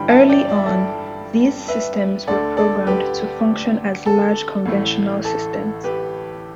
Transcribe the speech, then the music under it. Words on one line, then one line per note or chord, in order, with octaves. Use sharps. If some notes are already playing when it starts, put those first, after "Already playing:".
Early on, these systems were programmed to function as large conventional systems.
Already playing: G1 G2 E3 G5 B5
E5 A5
D5 G5
D5
E5
A4 D5
B4 E5
D2 D3 A3 A4 D5
A4 D5
G4 B4
A4
A1 A2 A3
A4
G4 B4